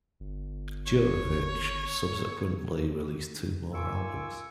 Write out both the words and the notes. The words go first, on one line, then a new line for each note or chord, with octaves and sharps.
Juravich subsequently released two more albums.
G1
C#5
D#3 F4 G#5 C#6 D6 E6